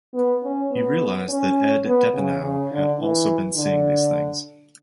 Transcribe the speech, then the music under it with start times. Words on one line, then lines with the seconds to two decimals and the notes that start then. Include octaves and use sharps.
He realizes that Ed Deepneau had also been seeing these things.
0.14 B3
0.43 C#4
0.71 B3
1.28 C#4
1.86 B3
2.14 C#3
2.42 C#3
2.71 D3
2.99 E3
3.56 D3